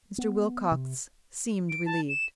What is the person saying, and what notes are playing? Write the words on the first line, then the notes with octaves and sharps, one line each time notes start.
Mr. Wilcox seemed relieved.
B3
C3
D7
A5
E7